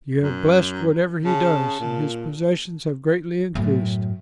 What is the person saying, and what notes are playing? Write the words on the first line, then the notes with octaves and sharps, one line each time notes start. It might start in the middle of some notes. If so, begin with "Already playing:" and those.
You have blessed whatever he does, and his possessions have greatly increased.
F#2
C#3 A5
A#2
F#2 A2